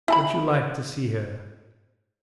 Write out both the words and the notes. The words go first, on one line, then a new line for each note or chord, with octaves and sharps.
Would you like to see her?
E4 A5 B5